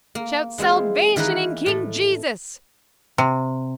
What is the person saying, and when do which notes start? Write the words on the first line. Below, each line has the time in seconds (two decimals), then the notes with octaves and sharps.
Shout salvation in King Jesus.
0.15 A#3
0.58 E3 G#3 C4 F4
1.16 D#3 E3 A#3 D#4 A#4 B4
1.66 A2 A3
3.18 C3